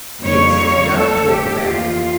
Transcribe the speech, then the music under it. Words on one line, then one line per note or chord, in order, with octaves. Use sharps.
"Yes; don't talk about it."
F2 C#3 G3 A#3 C#5
F2 D3 A3 A4
G4
F2 E3 A#3 F4